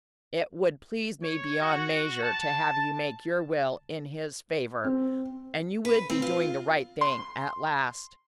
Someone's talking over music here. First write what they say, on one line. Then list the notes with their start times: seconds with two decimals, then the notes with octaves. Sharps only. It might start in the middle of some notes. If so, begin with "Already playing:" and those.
"It would please me beyond measure to have you make your will in his favor, and you would be doing the right thing at last."
1.22 C#5
1.60 F#4
2.22 A5
4.84 C4
5.85 B4
6.10 C4
6.22 F4
7.01 C6